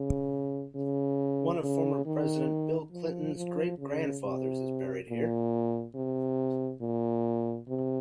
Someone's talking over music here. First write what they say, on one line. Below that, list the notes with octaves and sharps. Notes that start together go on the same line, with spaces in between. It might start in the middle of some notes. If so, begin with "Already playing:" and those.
One of former President Bill Clinton's great-grandfathers is buried here.
Already playing: C#3
C#3
C#3
D#3
F3
F3
C#3
C3
A#2
C3
A#2
C3